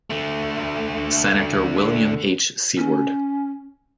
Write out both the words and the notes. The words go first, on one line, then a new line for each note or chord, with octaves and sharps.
Senator William H. Seward.
D3 A3
C#4